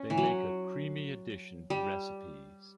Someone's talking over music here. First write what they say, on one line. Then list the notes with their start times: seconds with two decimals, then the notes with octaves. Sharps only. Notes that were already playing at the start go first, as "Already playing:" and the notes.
They make a creamy addition to recipes.
Already playing: C#4
0.10 E3
0.18 F#3
1.70 G3